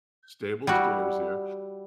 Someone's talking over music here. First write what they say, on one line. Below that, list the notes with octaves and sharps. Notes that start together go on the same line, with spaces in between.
stable stairs here,"
G3 E4 F#4